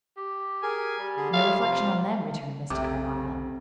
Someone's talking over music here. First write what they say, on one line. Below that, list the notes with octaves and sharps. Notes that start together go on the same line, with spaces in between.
"No reflection on them," returned Mr. Carlyle.
G4
G#4 A#4 G#5
G3
D3 G#4
A3 F4 G#4 F5
C3 F3 F4 F5
F1 B1 C3 E5 G5 D6